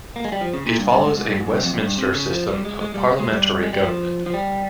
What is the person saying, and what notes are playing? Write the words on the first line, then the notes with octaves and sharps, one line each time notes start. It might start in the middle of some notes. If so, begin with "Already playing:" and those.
It follows a Westminster system of parliamentary government.
A#3
G#3
G3
F3
C#3
A#2
G2
G2
G#2
G#2
G2
G#2
G2
F2
F2
G2
C3
C#3
F3
G3
G#3
G#3
G3
G#3
G3
G#3
G3
F3
F3
G3